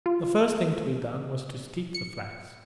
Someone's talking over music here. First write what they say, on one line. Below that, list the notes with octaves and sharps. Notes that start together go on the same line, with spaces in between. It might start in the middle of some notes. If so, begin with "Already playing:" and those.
The first thing to be done was to steep the flax.
F4
C#7